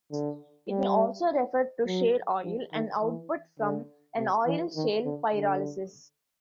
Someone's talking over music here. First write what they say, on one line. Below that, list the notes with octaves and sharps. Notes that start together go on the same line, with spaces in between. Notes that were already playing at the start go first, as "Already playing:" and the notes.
It may also refer to shale oil, an output from an oil shale pyrolysis.
D3
G3
F#3
F3
D#3
E3
D3
C3
E3
D#3
D3
D3